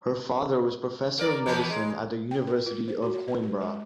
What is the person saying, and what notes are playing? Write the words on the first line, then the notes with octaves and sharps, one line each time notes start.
Her father was professor of medicine at the University of Coimbra.
A#3 A#4 D5
E2 A#3 B3
G#3
G5
A#4
F4
C5
F#4
C#5
B4
G4
G#3